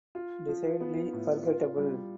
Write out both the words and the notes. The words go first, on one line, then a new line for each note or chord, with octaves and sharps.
Decidedly forgettable.
F4
F3
B3
A2
F4
G3